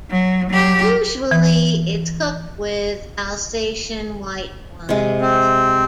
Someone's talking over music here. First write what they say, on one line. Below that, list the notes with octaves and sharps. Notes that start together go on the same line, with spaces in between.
Usually it is cooked with Alsatian white wines.
F#3
F#3 G4
E3
C3 G#3
C4